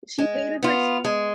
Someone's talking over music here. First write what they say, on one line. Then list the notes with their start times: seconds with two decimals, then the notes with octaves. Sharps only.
She hated her s
0.18 G#3
0.63 B3 F4
1.05 G#3